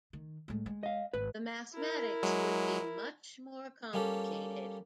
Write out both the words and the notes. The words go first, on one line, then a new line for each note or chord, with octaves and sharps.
The mathematics would be much more complicated.
D#3
A2 G#3
G#3
D#5 F5
G#1 B4
E4 A#4
F#3 G#3
G3 A#3 C#4 G4 A4